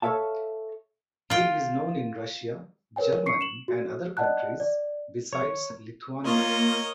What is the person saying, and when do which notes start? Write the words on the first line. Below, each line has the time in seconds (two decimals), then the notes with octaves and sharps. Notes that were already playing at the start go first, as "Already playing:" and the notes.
He is known in Russia, Germany, and other countries besides Lithuania.
0.02 A4 C#5 E5 F5 A5
1.30 F4 G5
2.96 A#4 B4 C#5 G5 G#5
3.26 C#6 C7 C#7
3.41 E7 F#7
3.68 F#4
4.17 D5 D#5 F#5 A5 F#6
4.60 D5
5.33 C#5
6.24 A#3 F4 A#4 C#5 D#5